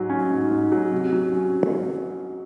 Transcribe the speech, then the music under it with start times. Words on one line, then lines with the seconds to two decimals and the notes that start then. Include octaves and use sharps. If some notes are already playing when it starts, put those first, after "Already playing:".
Almost all the inhabitants of the capital followed him.
Already playing: G#2 F#3
0.10 C#4
0.30 G#2
0.51 G#2
0.72 F#3
0.92 C3
1.12 F#3
1.32 C#4